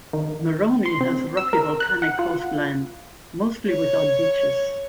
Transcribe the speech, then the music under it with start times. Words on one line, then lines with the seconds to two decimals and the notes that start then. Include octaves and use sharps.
Moroni has a rocky volcanic coastline, mostly without beaches.
0.13 D#3
0.86 C6
1.01 C4
1.37 E6
1.53 A#4
1.80 F#6
2.02 F#5
2.19 F4
3.67 C#5